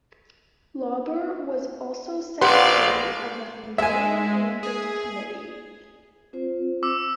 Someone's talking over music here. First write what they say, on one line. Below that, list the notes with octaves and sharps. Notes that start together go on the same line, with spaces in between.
Lauber was also secretary of the Hungarian Olympic Committee.
A#1 G4 B4 D5 F5 F#5 C6
G#3 E5 G#5
G#4
C4 F4 C5
D6 E6